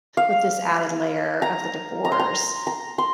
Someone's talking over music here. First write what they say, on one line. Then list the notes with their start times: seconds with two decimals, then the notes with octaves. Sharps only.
with this added layer of the divorce.
0.17 F5
1.42 A#5
2.05 A#5
2.12 C6
2.19 A#5
2.67 A#5
2.98 C6